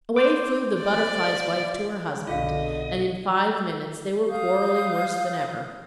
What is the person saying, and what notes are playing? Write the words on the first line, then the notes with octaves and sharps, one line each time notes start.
Away flew the Butterfly's Wife to her husband, and in five minutes they were quarrelling worse than ever.
C5 D6
D5
B1 F2 B2 D3 F4 G#4 D#5 F5
F5 D#6 G6